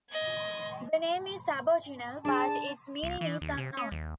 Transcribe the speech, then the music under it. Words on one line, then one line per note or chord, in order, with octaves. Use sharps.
The name is Aboriginal but its meaning is unknown.
D#5 G#6
D4 G#4 D5 A5
C2
E3
D#2
C3
C#4
D#2